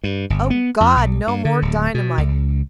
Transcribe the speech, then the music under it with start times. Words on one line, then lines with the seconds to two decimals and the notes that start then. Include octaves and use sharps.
O God! no more dynamite!
0.04 G2
0.30 G1
0.50 B3
0.80 F2
0.97 B1
1.27 G2
1.45 D3
1.62 D1
1.94 B2
2.18 C#2